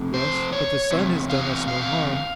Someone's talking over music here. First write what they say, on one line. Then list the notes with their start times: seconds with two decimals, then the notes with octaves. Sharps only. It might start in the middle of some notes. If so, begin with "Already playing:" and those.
"Yes, but the son has done us no harm."
Already playing: F2 C3
0.14 C5
0.53 C#5
0.91 E2 C3
1.29 F5
1.68 F5